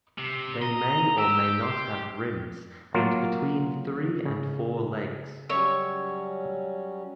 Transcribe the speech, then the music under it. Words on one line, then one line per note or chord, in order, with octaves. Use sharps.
They may or may not have rims and between three and four legs.
C3
D#5 A#5
G4 E6
C6
F#3 A#3 F4
C#3
F#3 G3 C#4 C#5 E5